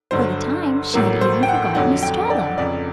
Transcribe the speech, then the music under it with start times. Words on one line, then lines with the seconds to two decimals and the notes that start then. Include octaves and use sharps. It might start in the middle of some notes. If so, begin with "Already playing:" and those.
For the time she had even forgotten Estralla.
0.11 G1 G2 D3 F#3 C5
0.94 A1 A2 F#3 A#3
1.21 C5
1.43 G5
1.48 F#5
1.75 F2 D3 F#3 F#5
2.03 G5
2.30 D5
2.57 F1 F2 C#3 D5